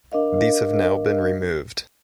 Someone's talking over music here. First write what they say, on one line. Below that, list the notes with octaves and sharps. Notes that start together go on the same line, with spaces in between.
These have now been removed.
D4 A#4 D#5 F5